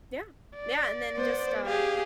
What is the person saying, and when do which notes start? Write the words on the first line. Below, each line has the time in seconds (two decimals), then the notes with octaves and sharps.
Yeah. Yeah, and then just, uh,
0.56 D5
1.13 B3 C5
1.66 G4 G#4 F5